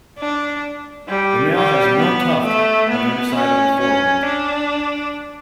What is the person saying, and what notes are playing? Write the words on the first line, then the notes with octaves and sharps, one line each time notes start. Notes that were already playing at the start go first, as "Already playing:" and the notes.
The male has no tuft on the underside of the forewing.
D4
G3
G3
B3
A3
B3
C#4
C#4
D4